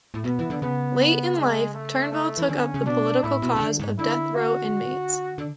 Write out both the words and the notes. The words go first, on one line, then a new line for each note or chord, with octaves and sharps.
Late in life Turnbull took up the political cause of death row inmates.
A2
B2 B3
E3
D3
C#3 B3
B3
G#3
A3
A3
E3
D3 C#4
C#3
B2 D4
A2 E4
B2
C#3
D3
G#2
D3 E4
F#4
D3